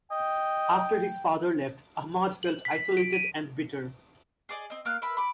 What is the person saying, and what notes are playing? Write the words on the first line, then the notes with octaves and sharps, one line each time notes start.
After his father left, Ahmad felt isolated and bitter.
D#5 G5
F#7
B6
D7
D#7
G#4 D5 D#5
C4 D#5
A#3 F5 F#6
A#4 B4 E5 B5
B5 D6